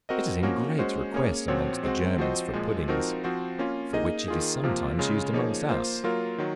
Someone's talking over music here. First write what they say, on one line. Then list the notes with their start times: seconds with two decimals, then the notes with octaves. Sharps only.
It is in great request amongst the Germans for puddings; for which it is sometimes used amongst us.
0.09 C4 F#4 A#4 D#5
0.43 F3 A#3 C#4 F#4 A#4
0.79 G#3 C#4 F#4 C5
1.14 A#3 C#4 G#4 C#5
1.48 A#2 F3 C4 F#4 C#5
1.83 G#3 C4 F#4
2.18 F3 C4 F#4 C5 D#5
2.53 A#2 F3 G#3
2.88 F3 C4 D#4 F#4 A#4
3.24 F3 C4 F#4 C5
3.59 A#3 C#4 F4
3.93 A#3 D#4 G#4 D#5
4.28 D#3 A#3 F4 G#4
4.63 C3 F3 A#3 F4
4.99 C#3 G#3 C#4 F4
5.33 F3 A#3 D#4 G#4 C#5
5.69 A#3 F4 C5
6.04 F#3 A#3 F4 A#4
6.38 D#3 F#3